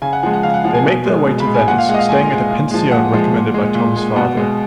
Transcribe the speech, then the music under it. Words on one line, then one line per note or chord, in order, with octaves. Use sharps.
They make their way to Venice, staying at a "pensione" recommended by Tom's father.
C#3 G#5
F#5
F3 G#3 F#5
F#5
C#3 F5
F#5
F3 G#3 F#5
G#5
B2
G#3
B2
B5
G#3
G#5
A#2 F#5
F5
G#3 F#5
D#5
F5
A#2 G#5
G#3
A#2
F3 G#3
A#2 F#5
F3 G#3
A#2
G#3
A#2
G#3
B2 F#5
G#3